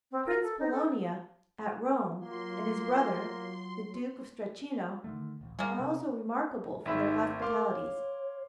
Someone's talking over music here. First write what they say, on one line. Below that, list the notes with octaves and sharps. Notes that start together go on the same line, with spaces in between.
Prince Polonia, at Rome, and his brother, the Duke of Strachino, are also remarkable for their hospitalities.
C4
A#4
A4
D#4
A4
F#3 A#3 F4 C6
D3 D#3 A3
D1 A1
G3 G#3 A#3
C3 C4 C#4
G#1 D#4 E5 B5
A#4 F5 C6 D6
C#5